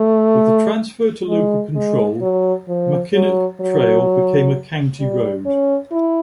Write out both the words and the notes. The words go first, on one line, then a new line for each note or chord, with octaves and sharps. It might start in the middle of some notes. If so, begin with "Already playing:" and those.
With the transfer to local control, Mackinac Trail became a county road.
Already playing: A3
G#3
G#3
F#3
F3
F#3
F#3
G3
C#4
E4